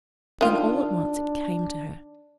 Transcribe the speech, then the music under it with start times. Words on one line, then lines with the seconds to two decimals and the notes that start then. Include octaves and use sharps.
Then all at once it came to her.
0.41 D#3 D4 F4